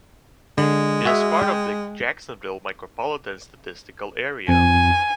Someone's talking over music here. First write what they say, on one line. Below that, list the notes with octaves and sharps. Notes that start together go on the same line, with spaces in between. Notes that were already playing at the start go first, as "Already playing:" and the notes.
It is part of the Jacksonville Micropolitan Statistical Area.
D3 G#3
F#4 G#4 E5
G5
F2 G#5